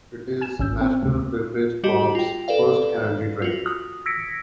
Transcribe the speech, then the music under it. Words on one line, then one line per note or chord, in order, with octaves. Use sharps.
It is National Beverage Corp.'s first energy drink.
G#5 G#6 E7
G#1 C#4 E6 G6
C4
D2 C3
G3 F#4 G4 D#5 E7
F4 G5
A4 B4 D5 F5
F4 F#4
D#6
E6 G#6 A#6 B6 C#7 D7